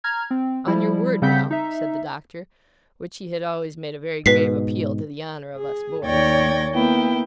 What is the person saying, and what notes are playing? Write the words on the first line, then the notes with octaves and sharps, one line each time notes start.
On your word, now?' said the Doctor,--which he had always made a very grave appeal to the honour of us boys.
A#5 F6 G#6
C4
F3 G3 E4
C#3 G3 C4 F#5 G6 B6
D#4 E5
G#2 B2 B4 B6 C7
G#4
D#2 C#5 D5 G5 G#6 A#6
A#3 B3 E4 G5